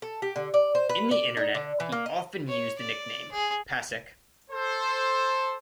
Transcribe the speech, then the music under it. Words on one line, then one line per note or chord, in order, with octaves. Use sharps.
In the Internet he often used the nickname Pacek.
A4
G4
D3
D5
C5
B4
D5
D#4
D3
E3
A#3
D#5
C#5
D5
G#4
A4 C5